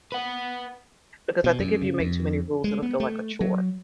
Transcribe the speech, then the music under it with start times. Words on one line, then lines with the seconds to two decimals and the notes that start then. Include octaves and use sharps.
because I think if you make too many rules, it'll feel like a chore.
0.12 B4 F#5
1.44 B2
1.60 F#2
1.82 C#3
2.00 F2
2.64 G#3
2.82 B3
3.00 A3
3.41 F#3